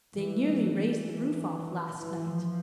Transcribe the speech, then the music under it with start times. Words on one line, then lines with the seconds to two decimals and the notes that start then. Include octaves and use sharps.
They nearly raised the roof off last night.
0.16 E3
0.75 E3
1.94 E3
2.25 F3